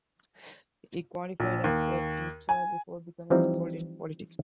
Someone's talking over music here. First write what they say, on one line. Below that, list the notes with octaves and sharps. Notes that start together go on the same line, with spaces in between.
He qualified as a teacher before becoming involved in politics.
A#1
D#2
G#5
E3 F3 G3 C4 D#4